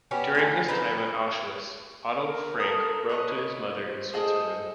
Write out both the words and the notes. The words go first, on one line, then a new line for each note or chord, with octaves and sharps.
During his time at Auschwitz, Otto Frank wrote to his mother in Switzerland.
B3 C#4 F#4 G4
E3 F#3 A3
C4 D#4 B4
A#4
A4 D#6
B4 C#5 D#5
C5
G#4 A4 D#5